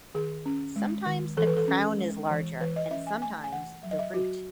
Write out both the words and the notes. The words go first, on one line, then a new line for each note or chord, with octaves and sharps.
Sometimes the crown is larger and sometimes the root.
D#3 G#4
C#4
G#3
D#3
E3 A4
B4
A4
C#4
G#3
E3
E3 B4
D#5
C#4 E5
G#5
A3 G#5
G#5
E3 F#5
F#3 E5
D#5
E5
F#3 F#4